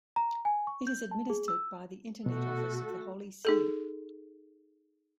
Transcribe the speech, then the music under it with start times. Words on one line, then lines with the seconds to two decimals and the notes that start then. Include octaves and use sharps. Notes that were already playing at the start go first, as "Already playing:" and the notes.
It is administered by the Internet Office of the Holy See.
0.16 A#5
0.45 G#5
0.67 C#6
0.87 G6
1.11 A5
1.30 G#4
1.48 E6
2.26 B2 A3 F#4 A4
3.45 D#4 G#4 A4